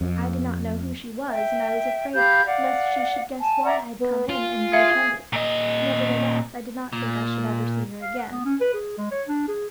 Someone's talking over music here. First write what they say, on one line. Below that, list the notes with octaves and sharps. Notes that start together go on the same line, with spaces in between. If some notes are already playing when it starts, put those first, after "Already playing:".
I did not know who she was, and I was afraid lest she should guess why I had come in and be offended. Nevertheless, I did not think I should ever see her again.
F2
E5 G5
G4 F5 B5 G6
D5 F5 F#5
G#5 A5
D5 E5 F#5 A#5
B3
F4 G#5
G#4 E5 F5
A#2 D#5
A#2
F5
F#5
B3
C#4
B4
G#4
G#3
C#5
D4
G#4